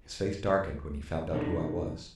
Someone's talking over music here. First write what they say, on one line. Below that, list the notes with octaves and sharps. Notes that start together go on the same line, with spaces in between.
His face darkened when he found out who I was.
B2 E3 G3 D4 D#4 A4